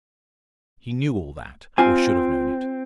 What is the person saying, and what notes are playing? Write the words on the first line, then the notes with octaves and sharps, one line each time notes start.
He knew all that, or should have known it.
C4 F4 G#5